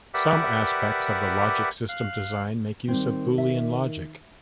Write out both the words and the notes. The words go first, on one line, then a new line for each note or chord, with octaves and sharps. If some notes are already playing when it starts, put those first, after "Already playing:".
Some aspects of logic system design make use of Boolean logic.
G4 A#4 B4 D5 E5 F#5
F5 F#6
D#3 G3 C4
E5